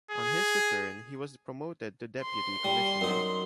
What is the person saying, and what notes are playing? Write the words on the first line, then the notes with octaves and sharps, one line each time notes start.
On his return he was promoted to Deputy Commissioner.
G#4
C6
G3
F#2 D#4